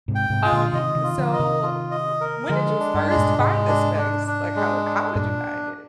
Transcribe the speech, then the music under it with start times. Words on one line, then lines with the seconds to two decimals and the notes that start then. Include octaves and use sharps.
Um, so, w when did you first find this space? Like, how how did you find it?
0.08 G#2 C3
0.15 G5
0.30 G#2 C3
0.45 F4
0.52 A#2 D3
0.73 C3 D#3 D#5
0.95 C3 D#3
1.03 F4
1.18 D3 F3
1.33 D#5
1.39 C3 D#3
1.63 F4
1.91 D#5
2.21 A#4
2.50 D3 F3 G#3
2.80 D4
2.94 G2
3.09 G#3
3.16 G2 A#2
3.38 G#2 C3 G#3
3.68 D4
3.98 D4
4.27 D4
4.56 G#3
4.86 D4
5.14 G2 A#2 D4